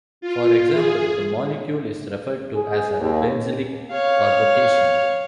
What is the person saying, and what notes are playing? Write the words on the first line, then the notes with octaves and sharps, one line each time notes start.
For example, the molecule, is referred to as a "benzylic" carbocation.
F4
G#4
G#4
D#2
C#5 F5